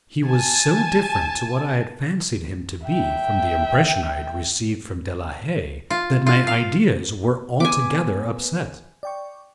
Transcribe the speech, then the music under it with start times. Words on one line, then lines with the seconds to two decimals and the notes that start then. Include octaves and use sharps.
He was so different to what I had fancied him to be from the impression I had received from De la Haye, that my ideas were altogether upset.
0.25 G#5 A5
2.86 E5 G5
5.90 F4
6.26 F4
6.47 F5
7.60 B3 B4 G#5 D6
9.03 D5 G5 C#6